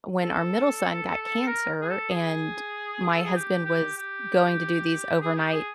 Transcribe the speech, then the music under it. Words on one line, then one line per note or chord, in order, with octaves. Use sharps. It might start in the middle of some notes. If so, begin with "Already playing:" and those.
when our middle son got cancer and my husband was going to do these overnight,
A4
A#4
G#4
A4
G#4
A4
G#4
G4
G4
G4
G#4
G4
G#4